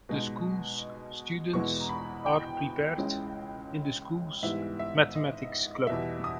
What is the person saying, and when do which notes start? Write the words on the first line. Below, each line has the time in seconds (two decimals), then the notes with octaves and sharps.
The school's students are prepared in the school's Mathematics Club.
0.09 B2 G#3 D#4
1.53 E2 B2 G#3 B3 E4 C#6
1.81 A#5
1.89 B5
2.26 G5
2.98 C#2 C#3 G#3 C#4 E4
4.43 G#2 E3 G3 B3 E4 E5
4.79 E5
5.15 D#5
5.87 E2 B2 G3 E5
6.24 D#6